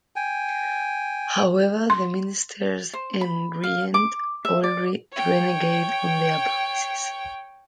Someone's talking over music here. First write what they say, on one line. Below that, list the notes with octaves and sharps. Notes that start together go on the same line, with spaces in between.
However the ministers and regent all renegade on their promises.
G5 G#5
C6
C5
B5
F5
D6
E5
D5
C#5 G5